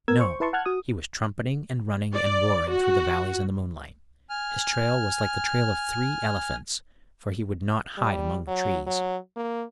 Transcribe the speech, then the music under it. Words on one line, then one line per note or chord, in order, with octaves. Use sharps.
No, he was trumpeting and running and roaring through the valleys in the moonlight. His trail was like the trail of three elephants, for he would not hide among the trees.
B3 A#4 E6 G#6
C5 C#6
E4 B4 E5 A5 C6 C#6
F#5 A5 F6 F#6 G#6
F#4 D#6
D5
F#4
G#5 F6
G3
F#3
F#3
A#3